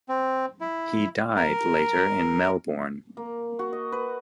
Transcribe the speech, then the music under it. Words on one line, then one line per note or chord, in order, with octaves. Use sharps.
He died later in Melbourne.
C4
E4
A#4
A#3
F#4
D#5
B4